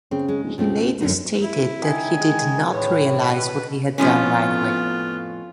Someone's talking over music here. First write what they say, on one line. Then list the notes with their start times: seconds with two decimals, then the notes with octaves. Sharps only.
He later stated that he did not realize what he had done right away.
0.11 C#3 C4
0.28 G#3
0.43 D1
0.58 C#2 B2 A3 C4
1.00 A#1 F#2 D3 D#4
1.42 E4
1.82 D#4 G5 G#5
2.18 G#3
2.71 E2 A2 C#5
3.29 B4
3.98 F2 A2 B3 C#4 F4